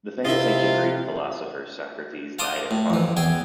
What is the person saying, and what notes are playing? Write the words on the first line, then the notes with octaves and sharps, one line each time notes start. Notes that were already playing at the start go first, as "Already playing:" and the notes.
The famous ancient Greek philosopher Socrates died of coniine.
C3 E4 F4 D#5 E5
F5 A5 C6 D6 D#6
A2
F2 E3
E2 G#4 G5